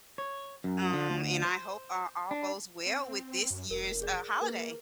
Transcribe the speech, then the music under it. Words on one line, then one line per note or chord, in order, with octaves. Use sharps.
um, and I hope a all goes well with this year's, uh, holiday.
C#5
F#2
D3
D2
C5
D4
C4
F#2
F1 A#4
G#4 D5
A#3 A#4 B4